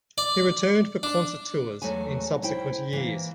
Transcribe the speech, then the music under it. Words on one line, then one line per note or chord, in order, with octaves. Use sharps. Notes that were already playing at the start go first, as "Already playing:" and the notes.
He returned for concert tours in subsequent years.
D5
D4
E2 F#3 A3 G#5
E4 C5 G5
E3 A#3